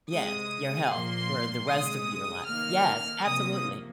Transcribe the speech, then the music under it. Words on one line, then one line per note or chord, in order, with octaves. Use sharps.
Yes, your health for the rest of your life, yes, absolutely.
C3 G#3 D#6
A#2 F3 A#3 C6
C3 G#3 D#6
D#3 A#3 F6
C3 F3 A#3 D#6